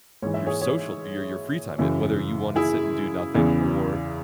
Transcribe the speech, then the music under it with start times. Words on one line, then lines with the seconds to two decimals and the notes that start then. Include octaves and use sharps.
your social your your free time it whether you wanna sit and do nothing or,
0.22 G#2 E3 C#5
0.34 E5
0.46 G#4 C#5
0.61 G#4 C#5
1.79 F#2 C#3 E3
2.56 E4 G#4
3.34 E2 C#3 E3